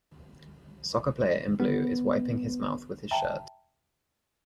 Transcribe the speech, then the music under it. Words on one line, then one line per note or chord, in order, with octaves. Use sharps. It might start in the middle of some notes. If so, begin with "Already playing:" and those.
Soccer player in blue is wiping his mouth with his shirt.
B3
E5 G5 A5 A#5